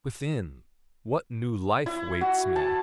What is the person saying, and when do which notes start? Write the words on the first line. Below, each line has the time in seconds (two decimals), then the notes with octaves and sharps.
Within, what new life waits me!
1.86 E4
2.21 F#4
2.56 A5